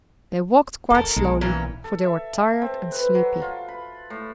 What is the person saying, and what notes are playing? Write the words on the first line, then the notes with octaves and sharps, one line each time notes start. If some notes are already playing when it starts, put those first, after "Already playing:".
They walked quite slowly, for they were tired and sleepy.
E1 A4 A#4
B1 G#3
A#2 E3 C#4
A4
E5
C4
B4
F#3
F4
B5
A2